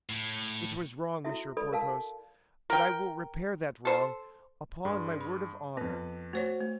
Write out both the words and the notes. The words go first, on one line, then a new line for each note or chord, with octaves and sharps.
"It was wrong, Monsieur Porthos; but I will repair that wrong, upon my word of honor."
A2
E4 F#4 A4 E5
A4 D5 B5
A#4 F5 A5
A#4 G5
A4 C5
G2 G#4 C6
B5
F2 B3 B4
A3 F#4 C5 C#5
A3